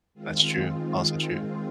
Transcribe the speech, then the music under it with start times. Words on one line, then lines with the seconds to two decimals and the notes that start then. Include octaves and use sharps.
That's true, also true.
0.14 D#3 G#3 C4 F4